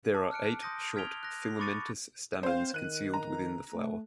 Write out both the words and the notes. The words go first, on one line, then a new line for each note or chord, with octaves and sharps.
There are eight short filamentous stamens concealed within the flower.
A5 D6
F6 F#6 C#7 D7
C6 D#6 G6 A#6 D#7
F6 G#6 B6 D7 F7 G7
F#6 A#6
B5 C#6 D6 A6 C#7 D#7
C4 C5 F5
D#3 F#6 D#7
A#5
A3